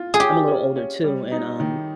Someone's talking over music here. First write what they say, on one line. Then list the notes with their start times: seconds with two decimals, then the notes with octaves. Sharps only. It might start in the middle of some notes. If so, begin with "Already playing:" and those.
I'm a little older, too, and, um,
Already playing: F4
0.14 G#4
0.20 C#4 G4
0.48 C#4
0.76 C#4
1.04 G3
1.32 D#4
1.60 D#3